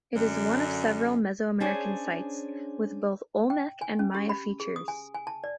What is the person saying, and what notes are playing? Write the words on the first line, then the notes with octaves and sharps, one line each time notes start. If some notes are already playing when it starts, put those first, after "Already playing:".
It is one of several Mesoamerican sites with both Olmec and Maya features.
F#2 D3
C#4 D4 G#4 C5 D5
G5
G#5
C#4
G4
B5
G#4
D#6
G#5
G#5
A5
D5